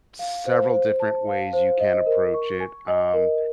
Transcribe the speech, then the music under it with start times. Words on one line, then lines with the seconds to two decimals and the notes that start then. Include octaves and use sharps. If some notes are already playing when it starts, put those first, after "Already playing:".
several different ways you can approach it, um,
0.19 F5
0.46 C5
0.73 C5
1.00 A5
1.27 F5
1.53 C5
1.80 D#5
2.06 A#4
2.34 C#6
2.60 G#5
2.88 D#5
3.13 A#4